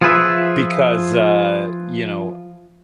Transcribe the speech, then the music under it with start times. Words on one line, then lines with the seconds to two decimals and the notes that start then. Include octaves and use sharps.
because, uh, you know, d
0.01 F3 F4 G#4 B4 E5